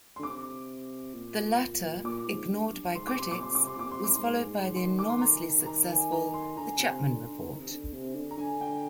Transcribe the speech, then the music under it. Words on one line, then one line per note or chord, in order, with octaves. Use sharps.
The latter, ignored by critics, was followed by the enormously successful "The Chapman Report".
C6
D3
C3 D6
A#2
A#2 D6
G#2
G2
G2
G#2 C6
D6
C3 C6
A#2 D6
C3 C6
D6
C3 C6
A#2 D6
C3
C6
D6
G#2 C6
G#2
D#3 C6
D6
C6
A#5
A#5
G#5
A#5
C6
D3 A#5
C3
D3
D3
D#3
C3
D3
C3
D3
A#5
D3 G#5
G5